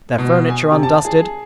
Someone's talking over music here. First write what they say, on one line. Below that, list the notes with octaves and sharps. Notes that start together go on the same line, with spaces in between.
Their furniture undusted.
B2
G#5
C3
A5
G#4